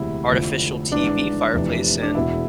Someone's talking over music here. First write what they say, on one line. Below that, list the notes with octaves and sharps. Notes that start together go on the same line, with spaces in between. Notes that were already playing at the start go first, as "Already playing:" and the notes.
artificial, TV fireplace and
Already playing: E1 D2 C3 E4
F1 F2 D3 F3
G#1 G#2 E3 D4
F1 F2 C3 E3
D4
E1 E2 B2 E4